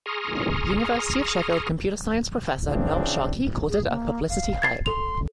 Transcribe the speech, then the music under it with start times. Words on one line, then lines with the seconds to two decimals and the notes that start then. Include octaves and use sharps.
University of Sheffield computer science professor Noel Sharkey called it "a publicity hype".
0.06 G#4 A#5 C6 C#6 D#6 F6
2.69 C#3 E3 F3 C4 D4
3.69 G#4
3.89 A#3
4.29 F5
4.62 G#6 A6 C7
4.86 A4 C6 F7